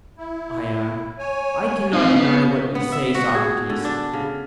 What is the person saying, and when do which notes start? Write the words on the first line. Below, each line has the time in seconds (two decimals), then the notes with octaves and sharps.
ION: I cannot deny what you say, Socrates.
0.18 E4
1.19 C#5 G#5
1.93 C4 D#4 F5
2.16 B3
2.75 B3
2.92 E5
3.15 F#4
3.35 G#4
3.70 D3
3.85 D4
4.13 C#3